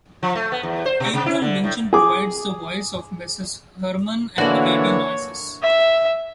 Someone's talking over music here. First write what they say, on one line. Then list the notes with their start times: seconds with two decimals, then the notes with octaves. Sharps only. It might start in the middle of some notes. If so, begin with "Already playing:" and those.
April Winchell provides the voice of Mrs. Herman and the "baby noises".
0.23 F3
0.35 A3
0.52 B3
0.63 E2
0.85 C5
1.00 B2
1.14 C3
1.26 E4
1.42 D3
1.64 A2
1.93 G#4 D6
4.38 D3 E3 A#3 D4 F#4 C5 C#5
5.63 E5